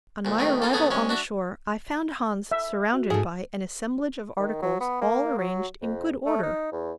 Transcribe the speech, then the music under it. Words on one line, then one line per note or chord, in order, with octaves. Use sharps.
On my arrival on the shore I found Hans surrounded by an assemblage of articles all arranged in good order.
D2 A#2
C2 D#3 A3
A#3 F4 A4
C#3 B3 G#4 A4
C2 G#3 C#4
D4 F#4 E5
E5
F#4
G#2 A3 G#4
D#3
F#3
B3
A#3
F#3
F2
A3
D#4
E2